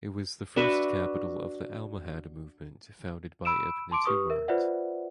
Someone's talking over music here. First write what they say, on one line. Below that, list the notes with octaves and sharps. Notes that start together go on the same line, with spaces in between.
It was the first capital of the Almohad movement founded by Ibn Tumart.
D4 F#4 B4 E5
B5 E6 D7 E7
A5 C6 D6 D7
G4 B4 C#6 D#6
A#4 E5
F4 B4 C5 D5 E5 F#5